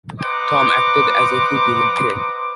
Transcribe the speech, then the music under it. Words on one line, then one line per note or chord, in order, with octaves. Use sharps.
Tom acted as if he didn't care.
B4 C5 D#5 F#5 A#5 D6